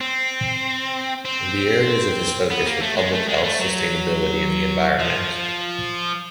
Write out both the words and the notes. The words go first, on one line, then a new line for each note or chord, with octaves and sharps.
The areas of his focus were public health, sustainability, and the environment.
C4
C4
B3
A#3
A3
G#3
A3
G#3
A3
F#3
F3